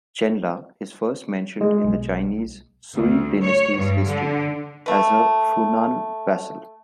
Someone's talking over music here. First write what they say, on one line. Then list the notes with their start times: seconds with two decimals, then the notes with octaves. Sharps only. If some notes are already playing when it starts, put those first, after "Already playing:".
Chenla is first mentioned in the Chinese Sui dynasty's history as a Funan vassal.
1.61 G#3
1.84 B1
2.93 D2
3.43 C#5
3.76 G2
4.08 D3
4.86 A3 B4